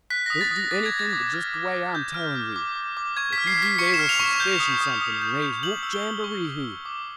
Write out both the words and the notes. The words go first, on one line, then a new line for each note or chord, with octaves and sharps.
Don't do anything but just the way I am telling you, if you do they will suspicion something and raise whoop-jamboreehoo.
F#6 B6
D#6 A#6
A6
D#6
A#6
D6 A6
G#6
D6
A6
D6
F6
D6
D6
D6 G6
F6
D6
D6
D6
D6
C#6 G#6
B6
F6
C7
F6
B6
C#6 C#7
E7
F6
F7
C#6
E7
G6
D#6
D#6
D#6
G6
G6
G6 F#7
E6
G7
G6
C#6
E6
E6
D6